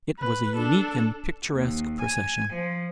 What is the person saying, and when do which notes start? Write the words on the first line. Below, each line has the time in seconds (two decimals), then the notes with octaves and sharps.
It was a unique and picturesque procession.
0.19 B4
0.56 D4 A4
1.50 D#2
2.00 G#5
2.52 F3